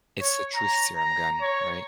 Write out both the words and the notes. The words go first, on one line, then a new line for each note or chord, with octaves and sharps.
It's the truth serum gun, right?
C#5
A#5
A#5
C#5